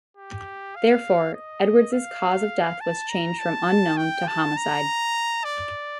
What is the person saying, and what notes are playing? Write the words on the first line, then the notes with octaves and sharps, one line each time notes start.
Therefore, Edwards' cause of death was changed from unknown to homicide.
G4
F5
D#5
F5
A5
A#5
A5
G5
A5
A#5
D5